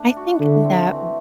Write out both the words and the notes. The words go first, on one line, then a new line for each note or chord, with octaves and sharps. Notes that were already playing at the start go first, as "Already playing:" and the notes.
I think that, w
Already playing: A3 D4
F#4
D3 E4
C4
E3